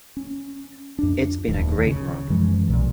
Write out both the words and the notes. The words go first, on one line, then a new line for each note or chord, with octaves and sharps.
It's been a great run.
C#4
F2 D4
D1 D#2
C#3
F#2 E3 F3 G#3
B1 A#2